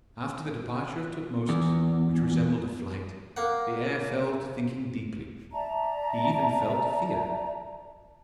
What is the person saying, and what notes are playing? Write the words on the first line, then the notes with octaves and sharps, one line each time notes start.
After the departure of Tutmosis, which resembled a flight, the heir fell to thinking deeply; he even felt fear.
E2
A#3 F#5
D5 E5 A5 A#5